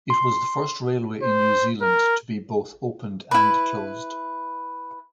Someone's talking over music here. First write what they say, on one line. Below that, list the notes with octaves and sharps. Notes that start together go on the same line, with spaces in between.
It was the first railway in New Zealand to be both opened and closed.
C6
C5
A#4
E4 B4